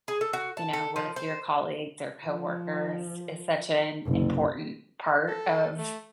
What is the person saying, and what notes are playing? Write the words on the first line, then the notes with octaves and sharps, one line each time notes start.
you know, with your colleagues or coworkers is such an important part of,
G#4
A4
F#4
A5
A4
F3
C5
F3
F#1 C2
A4
A3